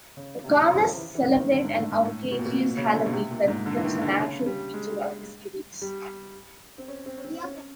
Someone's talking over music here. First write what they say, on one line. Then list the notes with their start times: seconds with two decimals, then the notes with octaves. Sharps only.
The Conners celebrate an outrageous Halloween that becomes an annual feature of the series.
0.17 C#3
0.44 C3
0.61 C#3
0.79 F3
0.97 E3
1.15 E3
1.33 D#3
1.52 D3
1.64 G#2
1.78 A2
1.92 G#2
2.05 A2
2.32 B2
2.39 A#2
2.46 B2
2.59 A#2
2.77 C#3
2.94 D3
3.06 B2
3.13 C3
3.31 A#2
3.48 G#2
3.66 D3
3.76 E3
3.84 D#3
4.01 D3
4.20 C#3
4.46 G3
4.74 G#3
5.82 G3
6.78 C4
6.88 C#4
7.06 C4
7.18 C#4
7.24 C4
7.43 C#4